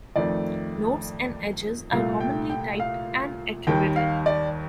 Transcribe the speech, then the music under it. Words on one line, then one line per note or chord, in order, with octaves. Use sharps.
Nodes and edges are commonly typed and attributed.
F2 D#3 A3 D5
C2 A#2 A3 F5
G5
G5
F5
D#2 D#3 G3 G5
F5
D5